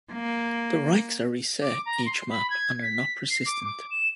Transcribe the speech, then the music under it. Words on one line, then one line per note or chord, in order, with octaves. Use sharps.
The ranks are reset each map and are not persistent.
A#3
D6
A#5
C6
B5
G#6
B6
C7
D6
D6
E7